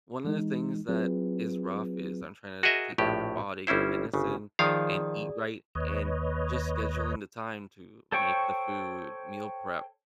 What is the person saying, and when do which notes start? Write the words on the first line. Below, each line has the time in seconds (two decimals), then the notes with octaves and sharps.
one of the things that is rough is I'm tryna take care of my body, get fitness in, and eat right, and just scheduling the time to make the food, meal prep
0.25 E3 G#3 D#4
0.89 F#3 C4 F4 G#4 B4
2.63 F#4 G#4 A#4 D#5 E5
2.98 A#1 A2 G4
3.67 G1 G3 C#4 E4 C5
4.14 G1 C#3
4.59 D#3 F3 G#4 D5 F5 D#6
5.75 D#2 B4 C#5 D#5
8.12 A4 C5 C#5 G5 C#6